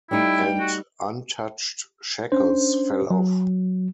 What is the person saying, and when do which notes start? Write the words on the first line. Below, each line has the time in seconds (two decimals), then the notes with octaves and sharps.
And untouched shackles fell off.
0.11 G3 A3 D#4 E4 G5
0.60 F#4
2.32 C#4 D4 C5
3.10 F#3